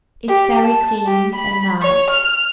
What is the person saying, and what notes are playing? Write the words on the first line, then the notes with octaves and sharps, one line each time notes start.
"It's very clean and nice."
G4
A5
G4
B5
C#5
F6